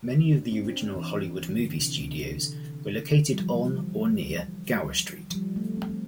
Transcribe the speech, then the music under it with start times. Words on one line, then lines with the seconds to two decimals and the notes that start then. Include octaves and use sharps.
Many of the original Hollywood movie studios were located on or near Gower Street.
0.12 C4
0.33 D4
0.52 C4
0.65 D4
0.96 E3
1.59 D3
1.79 C3
2.00 D3
3.33 G3
3.40 F3
3.47 E3
5.30 F3
5.34 G3
5.56 A3
5.77 C4